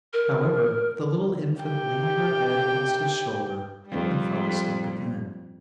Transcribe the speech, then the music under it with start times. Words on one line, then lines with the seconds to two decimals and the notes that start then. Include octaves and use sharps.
However, the little infant leaned her head against his shoulder, and fell asleep again.
0.13 A#4
1.61 G4 G5
3.87 F2 G3